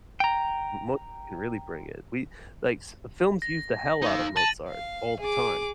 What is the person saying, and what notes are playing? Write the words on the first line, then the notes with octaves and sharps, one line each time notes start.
Mozart can really bring it. We like films use the hell out of Mozart all the time,
G5 A#5
A#6
D#4 F5
A5 A6 D#7 F#7
F5
G#4 D6